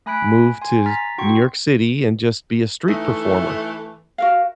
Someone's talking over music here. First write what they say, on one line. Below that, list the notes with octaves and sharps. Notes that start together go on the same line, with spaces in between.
move to New York City and just be a street performer
A3 G#5 B5 F#6 B6 D7
G#5 C6
A#5 F6 A6 B6
D4 F#4 G5 C6 C#6
E3 A3 D#4
F#4 A#4 F5